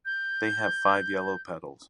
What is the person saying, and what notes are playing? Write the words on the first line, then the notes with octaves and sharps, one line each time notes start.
They have five yellow petals.
G6